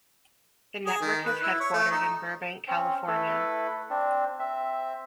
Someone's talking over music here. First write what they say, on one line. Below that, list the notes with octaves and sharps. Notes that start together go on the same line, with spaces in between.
The network is headquartered in Burbank, California.
G#4
D#3
B4
E4
C#5
A3
D#4
C4 C#4
A3 E4 A4 B4
C4 D4
C4 E5